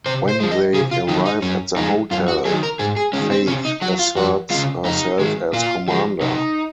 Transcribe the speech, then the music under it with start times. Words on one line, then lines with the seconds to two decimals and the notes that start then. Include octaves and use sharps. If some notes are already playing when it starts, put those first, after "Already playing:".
When they arrive at the hotel, Faith asserts herself as commander.
0.06 C3 C5
0.29 C5
0.40 F3 G#3
0.52 D#5
0.74 C3 G#4
0.91 F4
1.08 D#3 F#3 D#4
1.25 D#4
1.42 F#2 C#4
1.76 F3 G#3 D#4
2.11 F#2 F4
2.28 F#4
2.45 F#3 G#4
2.49 D#3
2.63 A#4
2.79 G#2 G#4
2.96 G#4
3.13 D#3 G#3 C#4
3.31 C4
3.47 C3 C#4
3.65 D#4
3.81 F#3 F#4
3.99 F4
4.16 F2 F#4
4.50 C#3 G#3 F4
4.85 F2 D#4
5.19 D#3 G#3
5.53 A#2 F4
5.88 F3 G#3
6.21 C3 D#4